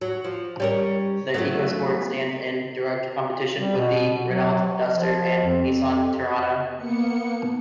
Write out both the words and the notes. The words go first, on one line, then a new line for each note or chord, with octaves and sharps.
The Ecosport stands in direct competition with the Renault Duster and Nissan Terrano.
F#3
F3
G3 C#4 A#4
F#3 A3 B3
G3
B2
F#3
F3
F2
A#3 B3 C#7